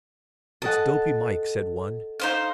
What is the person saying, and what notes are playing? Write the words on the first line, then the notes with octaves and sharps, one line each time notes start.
"It's Dopy Mike," said one.
A4 D#5 F#5 A5
D#4 C5 F5